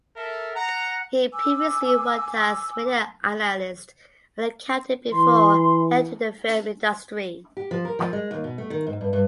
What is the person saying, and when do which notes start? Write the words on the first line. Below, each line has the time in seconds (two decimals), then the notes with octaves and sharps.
He previously worked as media analyst and accountant before entering the film industry.
0.16 A4 A#4 E5
0.55 F#5 A#5
1.33 G#5 D6 E6
5.12 E3 C6
7.57 G4
7.71 F3
7.85 A#4
7.99 F3
8.13 G#3
8.31 D#2
8.44 B2
8.58 A3
8.70 D#3
8.87 G#2
9.01 G2
9.13 G2